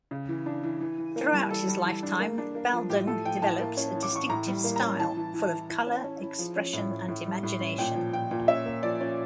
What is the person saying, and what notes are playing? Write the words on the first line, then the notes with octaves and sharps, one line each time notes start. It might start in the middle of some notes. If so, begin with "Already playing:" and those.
Throughout his lifetime, Baldung developed a distinctive style, full of color, expression and imagination.
C#3
E3
D4
E3
E3
E3
A#3
G3
E3 A4
G3
E3
D4
A#3
D4
A#3
F3
A2 G4
A3 A4
F3 G5
A2 A5
A#3
C#4
E3
D6
E3 C#6
A2 A#5
G3
A#3
A#5
C#4
E3 A5
E3
E3
E3
E4
C#4
C#4
E4
F3
C#4
A2
C#4
A2
G3
A2
C#4
A#2 G5
F3
A#2 G5
A#2
C#4 E5
A#3
F3 D5
C#4